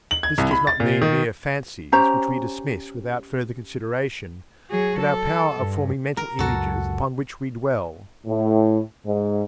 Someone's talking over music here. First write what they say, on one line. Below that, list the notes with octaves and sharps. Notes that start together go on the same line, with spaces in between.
This does not mean mere fancies, which we dismiss without further consideration, but our power of forming mental images upon which we dwell.
F#7
G#6
C2
B5
A6
A#2
D#3
C#4 G4 C5 A#5
F#3 G#4
A4
G2
A#4
C#2 F#2 G#3 F#4 A4
A2
G#2